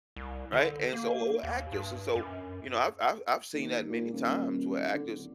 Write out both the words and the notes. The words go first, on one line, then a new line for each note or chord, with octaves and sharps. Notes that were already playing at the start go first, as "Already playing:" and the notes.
right, and so o or actors, and so, you know, I've I've I've seen that many times where actors,
C2
D3
A#3
D#2
G2
F#2
D#2
A#2
D#1
D3
D1